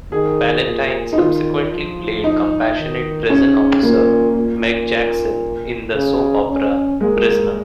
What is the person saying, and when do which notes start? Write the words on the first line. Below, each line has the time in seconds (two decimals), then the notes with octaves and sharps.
Ballantyne subsequently played compassionate prison officer, Meg Jackson in the soap opera, "Prisoner".
0.12 D#3 G#4
0.66 A#2
1.13 D#4
1.18 D#3 F4
1.71 F3
2.24 D#4
2.77 D#3
3.30 C#3 C#4
3.83 A#2 A#3
4.36 A#2
5.95 C#3
6.48 C#4
7.01 G#3 A#3